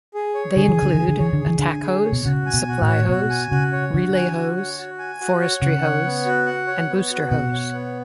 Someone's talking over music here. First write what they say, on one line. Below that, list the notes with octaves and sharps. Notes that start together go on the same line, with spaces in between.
They include attack hose, supply hose, relay hose, forestry hose, and booster hose.
G#4
C#5
D3 G#4
E3
G#5
D3
E3 G#4
D3
E3 C#5
D3
G#4
E3
D3 G#5
G#4
C#5
B2
C#3 F#4
G#5
B2
F#4
A2
C#5
B2 F#4
G#5
C#3 F#4
C#5
D3 F#4
G#5
F#4
C#5
F#4
G#5
F#4
C#5
C#3 F#5
C#5
B3
F#4
F#5
C#5
B3
F#4
B2 F#5
C#5
B3